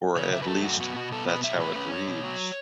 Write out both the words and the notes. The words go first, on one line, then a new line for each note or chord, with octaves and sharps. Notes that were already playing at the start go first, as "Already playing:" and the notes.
Or at least, that's how it reads.
C#3 C#5
F#3 E5
B4
A3 A4
F#2 F#4
B3 F#4
B2 F#4
B3 A4
B2 B4
F#3 E5
A3 B4
C#4 B4
F#2 C#5
B2
F#3